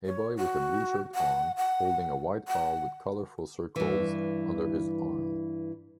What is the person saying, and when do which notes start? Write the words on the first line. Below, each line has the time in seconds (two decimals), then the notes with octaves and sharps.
A boy with a blue shirt on holding a white ball with colorful circles under his arm.
0.06 C#5
0.37 F#4
1.14 F#5
1.57 F#5
2.48 F#5
3.76 G2 E3